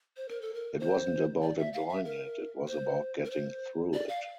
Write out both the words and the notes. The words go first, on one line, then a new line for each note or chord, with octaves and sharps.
It wasn't about enjoying it, it was about getting through it.
C5
A#4
A4
A#4
C5
D5
E5
F5
E5
A#4
C5
A#4
C5
D5
F5